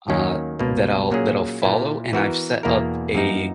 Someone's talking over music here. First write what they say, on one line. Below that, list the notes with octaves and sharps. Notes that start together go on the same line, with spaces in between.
uh, that I'll that I'll follow, and I've set up a
D#2 D#3 F#3 A#3 C#4
C#2 B2 A#3
A#2 F#3 A#3 C#4 G#4
A#2 A#3 E4
E3 B3 F#4 A#4
E2 B2 A#3 E4 A#4
F#2 E3 A#3 D#4